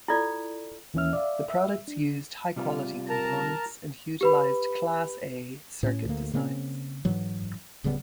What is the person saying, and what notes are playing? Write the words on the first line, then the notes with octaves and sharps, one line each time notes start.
The products used high-quality components and utilized Class-A circuit designs.
E4 F4 A4 D5
D#2 E3 A#3 C#4 E5 F6
D5 E5 F5
E5
D4
C3 G3 F4
A#4 A5 A#5
G4 B4 B5
A2 C#4
D2 A#3
C#3 A#3 C4 C#4
G#2 E3 F#3
D1 C#3 G3 B3